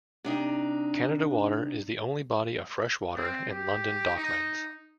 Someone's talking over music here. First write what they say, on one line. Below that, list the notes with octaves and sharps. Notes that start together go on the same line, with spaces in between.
Canada Water is the only body of fresh water in London Docklands.
C3 D4 D#4
C4
G4
D#4